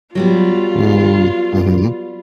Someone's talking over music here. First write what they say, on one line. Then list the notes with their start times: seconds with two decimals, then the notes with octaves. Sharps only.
Mm, mhm.
0.15 F#3 G3 B3 F4